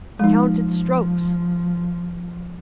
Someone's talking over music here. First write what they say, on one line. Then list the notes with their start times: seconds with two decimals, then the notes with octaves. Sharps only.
Count its strokes.
0.19 F3 G#3 D#4